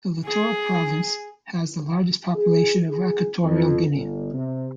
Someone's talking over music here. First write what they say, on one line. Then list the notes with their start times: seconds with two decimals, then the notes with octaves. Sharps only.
The Litoral Province has the largest population of Equatorial Guinea.
0.25 G#4
2.35 G#4
2.88 G#4
3.44 F2
3.92 G1
4.33 C3